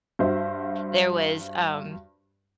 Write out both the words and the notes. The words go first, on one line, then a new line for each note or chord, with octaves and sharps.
there was, um,
G2 F#4 C5 E5